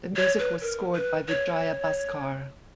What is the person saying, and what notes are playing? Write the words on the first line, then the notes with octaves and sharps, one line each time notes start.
The music was scored by Vijaya Bhaskar.
C#5
B4
A#4
B4
C#5